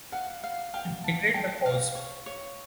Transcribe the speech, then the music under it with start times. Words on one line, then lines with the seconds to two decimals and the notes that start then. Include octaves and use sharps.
He's betrayed the cause.
0.12 F5 F#5
0.44 F5
0.74 F5 G5
1.04 A5
1.34 G5 A5
1.66 F5
1.95 C#5
2.26 C#5